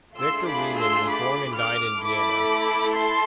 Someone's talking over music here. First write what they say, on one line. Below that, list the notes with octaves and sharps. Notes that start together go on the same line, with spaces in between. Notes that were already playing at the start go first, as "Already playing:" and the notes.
Viktor Reimann was born and died in Vienna.
A3 D4 F4 G#4 C6 E6
B5 D6
C6 E6
B5 D6
D6 F6
A3 E4 A4 B5 D6
A5 C6